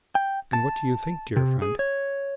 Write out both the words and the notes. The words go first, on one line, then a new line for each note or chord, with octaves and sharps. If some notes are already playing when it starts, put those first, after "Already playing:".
And what do you think, dear friend?
G5
A5
C3
G#4
C#5